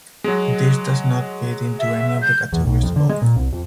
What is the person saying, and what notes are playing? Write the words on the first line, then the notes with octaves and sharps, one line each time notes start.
This does not fit into any of the categories above.
F#3 G#3
E5
G6
E2
B1
F2
D3
G#3
A#2
C2
F2